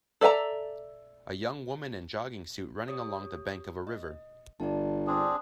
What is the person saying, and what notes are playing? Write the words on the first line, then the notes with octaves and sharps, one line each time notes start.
A young woman in jogging suit running along the bank of a river.
A4 D5 E5 G#5 A#5
G4 C#5 D#6
D#5
G1 D5 A5
C4 D4 G#4